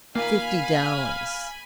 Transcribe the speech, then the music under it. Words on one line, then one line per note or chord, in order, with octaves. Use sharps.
"Fifty dollars."
A#3 F5 G#5 B5